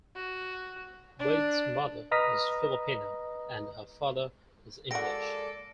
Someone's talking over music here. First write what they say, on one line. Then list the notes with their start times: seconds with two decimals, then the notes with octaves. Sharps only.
Wade's mother is Filipino and her father is English.
0.16 F#4
1.19 D4
2.11 B4 D#5 A#5 D#6 F6 B6
4.91 G#3 A#3 F#4 G4 A4 D5 A#6 D7